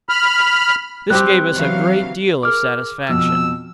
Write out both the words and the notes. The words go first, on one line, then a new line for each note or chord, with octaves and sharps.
This gave us a great deal of satisfaction.
B5 F6
G3 C4 G4 F#6
E3 F#3 F5
G#4 A#4 D6 F6
F2 B2 F3 E6